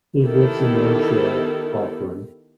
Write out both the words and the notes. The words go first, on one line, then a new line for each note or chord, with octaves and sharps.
He lives in Mangere, Auckland.
D#3 B3 E4 G4 A4